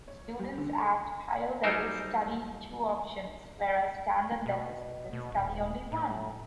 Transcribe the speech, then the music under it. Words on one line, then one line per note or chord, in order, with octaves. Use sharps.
Students at higher level study two options whereas standard level students study only one.
C#5
G3
D3
F#3 G3 D#4 A4 A#4 C5
B2
B2
D#1
A2